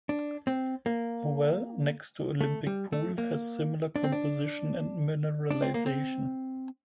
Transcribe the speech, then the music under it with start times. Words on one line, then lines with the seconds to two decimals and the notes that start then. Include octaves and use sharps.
A well next to Olympic pool has similar composition and mineralization.
0.09 D4
0.47 C4
0.86 A#3
2.41 A3
2.67 G3
2.93 A3
3.18 A#3
3.96 D4
4.04 C4
4.12 D4
5.51 D4
5.62 C4
5.74 A#3
5.86 C4